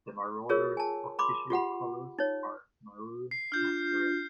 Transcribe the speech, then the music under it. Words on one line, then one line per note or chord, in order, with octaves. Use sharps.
The Marauder's official colours are maroon and grey.
F4 G#4 A#4 C#5 E6
G#5 A5
B5 C6 D6
F4 G4 F#5 B5
D#4 C#5
C7
D4 F4 F6 G6